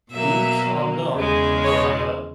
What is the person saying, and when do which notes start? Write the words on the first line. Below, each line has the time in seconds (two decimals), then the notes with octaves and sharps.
Oops on them. Uh,
0.12 B2 F#3 A#3 E5
1.15 E2 C#3 G#3
1.65 C#5